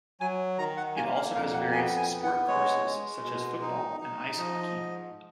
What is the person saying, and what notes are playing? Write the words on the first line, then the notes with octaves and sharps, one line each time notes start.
It also has various sport courses such as football and ice hockey.
F#3 G#5
D#3 A#5
F#5
A#3 G#5
F5
F2 F5
F#5
B3 G#5
G#5
B3
F#5
G#3 C#5
G#3
B2
D#4
D#4
F3 D#5
G#2